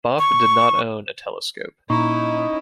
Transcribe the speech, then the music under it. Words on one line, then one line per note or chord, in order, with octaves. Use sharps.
Bopp did not own a telescope.
C#6
A#2 C#4 D#4 E4 C#6